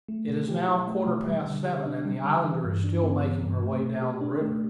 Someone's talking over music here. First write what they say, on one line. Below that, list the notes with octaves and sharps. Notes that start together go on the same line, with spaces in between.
It is now quarter-past seven, and the Islander is still making her way down the river.
A3
B2
G4
E4
A3
B2
G3
D3
G4
D4
G3
D3
E3
G2
D4
B3
E3
G2
A3
B2
G4
D4
A3